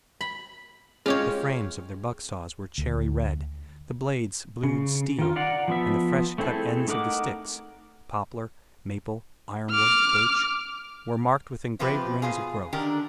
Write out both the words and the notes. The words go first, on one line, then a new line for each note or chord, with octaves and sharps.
The frames of their buck-saws were cherry-red, the blades blued steel, and the fresh cut ends of the sticks--poplar, maple, iron-wood, birch--were marked with engraved rings of growth.
B5
G#3 C#4 F4 G4 C#5
D2
C#3
D#3 F4
D5 F5 F#5 A#5
F3 B3 E5
A3 C4 E4 G#4 A4
A3 D#4 A#4 F#5 D6
D6 F6
F2 C3 F3 C4 G4 B4
B2 F4 G#4
D3 D#3 D4 G4 A#4